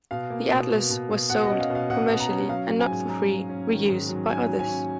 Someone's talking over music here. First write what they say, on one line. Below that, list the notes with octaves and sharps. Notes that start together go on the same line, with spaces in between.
The atlas was sold commercially and not for free reuse by others.
B2 F5
A#3
B2
B2
B2
B2
B2 F#5
D#5
C#4
F5
B2
F5
B2 F#5
B2
A#5
C#4
F#3 F5
F#3
G#5
G#2
F#3 A#5
F#3
C#4
D#3
G#2
F#3
C#4 G#5
F#3
G#5
C#4